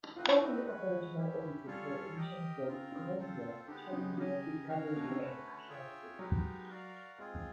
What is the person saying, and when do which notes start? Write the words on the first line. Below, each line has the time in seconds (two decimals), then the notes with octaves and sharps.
Four fully operational orbiters were initially built: "Columbia", "Challenger", "Discovery", and "Atlantis".
0.16 A3 C4 D#4 F4 F#4 B4
0.28 E4
0.41 E4
0.54 D4
0.66 G#3 C#4 F#4 B4
1.17 C#4 E4 G4
1.66 G3 C#4 F4 A4 C#5 F5
2.17 G4 A#4 D#5 G5
2.67 C#3 C4 F4 A#4
2.92 C#3
3.17 C4 F4 A4 C5
3.67 D3 G#3 B3 D#4 G4
3.93 C#3
4.17 C#3 G4 A#4 D#5 G#5
4.68 C#4 F#4 A#4 C#5 F5
4.96 B2
5.04 C3
5.11 C#3
5.18 D3 A3 C#4 F#4 B4
5.68 F4 G#4 C#5 E5 G5
6.18 F#3 G#3 B3 D#4 G4 A#4
6.69 F#4 A#4 D5 F5
7.19 G#3 C4 F4 G#4